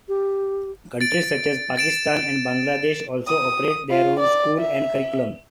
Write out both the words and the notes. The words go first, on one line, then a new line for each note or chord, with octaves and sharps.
Countries such as Pakistan and Bangladesh also operate their own schools and curriculum.
G4
A6 D7
A6 D7 E7
D#6
F4
D5
E5